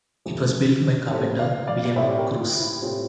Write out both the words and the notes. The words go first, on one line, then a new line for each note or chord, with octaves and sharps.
It was built by carpenter William Cruse.
F2 C3 F3 A3 C4
A2 G3 C4 A4 C5
D5 F5
D5 F5
D5
A2 G3 C4 C5 E5
G4 A#4
F4
E4
G4
A2 G3 C4 F4